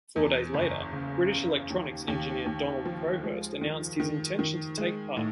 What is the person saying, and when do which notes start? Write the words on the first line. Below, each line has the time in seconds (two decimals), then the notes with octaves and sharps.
Four days later, British electronics engineer Donald Crowhurst announced his intention to take part.
0.16 E2
0.54 F#1
0.93 C#3
1.31 C#3
1.70 D#2
2.08 D#2
2.46 D#2
2.85 F3
3.24 G#3
3.61 D#3
4.00 D#3
4.39 D#3
4.78 G#3
5.17 A2